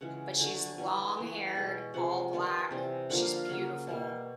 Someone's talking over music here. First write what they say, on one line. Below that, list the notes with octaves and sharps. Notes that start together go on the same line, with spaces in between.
but she's long-haired, all black, she's beautiful.
C#3 E3 G#3 F#5
G5
D3 F#3 A3 G#5
A5
G#5
E3 G3 B3 G#5
G#5
E3 A3 G5
F#5
B2 G#3 B3
C3 F3 G#3 F#5
D#3 G3 B3
G5
G#5
C3 E3 G3 G5
D3 F3 A#3 F#5
F5
F5
C#3 F#3 A#3 F#5
B2 G3 A#3